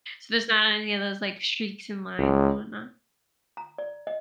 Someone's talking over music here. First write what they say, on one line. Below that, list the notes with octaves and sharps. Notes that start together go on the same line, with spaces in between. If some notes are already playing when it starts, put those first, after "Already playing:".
so there's not any of those, like, streaks, and lines, and whatnot.
C#2
A#5
D5
D#5